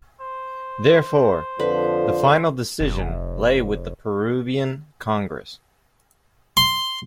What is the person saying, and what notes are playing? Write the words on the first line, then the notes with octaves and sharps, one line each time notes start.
Therefore, the final decision lay with the Peruvian Congress.
C5
F2 D3 F3 B4
F1
C6